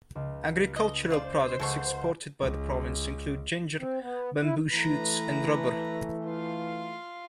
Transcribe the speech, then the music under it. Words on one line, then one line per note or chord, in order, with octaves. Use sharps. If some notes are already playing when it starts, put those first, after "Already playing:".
Agricultural products exported by the province include ginger, bamboo shoots, and rubber.
C#2
D#5
F3 F4 C5 D5
C#2 G#3 A4 F#5 C#6
C#2
C4
B3
E4
E3 A3 B4 A#5
F4 F5